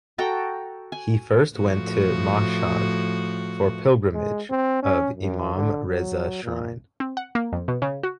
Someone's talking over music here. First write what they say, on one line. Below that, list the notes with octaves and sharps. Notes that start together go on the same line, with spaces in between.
He first went to Mashhad for pilgrimage of Imam Reza Shrine.
F#4 A4 G5 A#5
G#5
A2 F3 F#4
G#3
C4
C#4
F#2
D3
F#3
A#2
C4
F#5
A#3
F2
B2
C#3
F#4